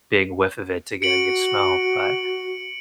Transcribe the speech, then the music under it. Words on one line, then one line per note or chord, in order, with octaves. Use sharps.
big whiff of it to get a good smell, but,
F#4 C#7 D7 F#7